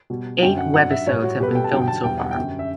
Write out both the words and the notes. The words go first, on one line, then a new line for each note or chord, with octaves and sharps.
Eight webisodes have been filmed so far.
B2 G3
F#2 D3 F#3 G5
F#5
G2 F#3 F#5
E5
A2 G3 C#5
F#4
B2 G3 G4 B4
A4
G5
A5
G2 D3 F#3 G5
G5
A5
E2 B2 G3 G5
F#5
G5
F#2 D3 G3
E5